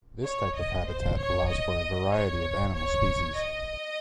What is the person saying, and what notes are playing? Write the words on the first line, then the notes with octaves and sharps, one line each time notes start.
This type of habitat allows for a variety of animal species.
C#5
D#5
C5
C#5
D#5
C#5
C#5
D#5